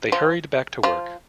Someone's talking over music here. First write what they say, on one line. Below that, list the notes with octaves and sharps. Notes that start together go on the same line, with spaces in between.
They hurried back to work.
F3 F4
F3 F4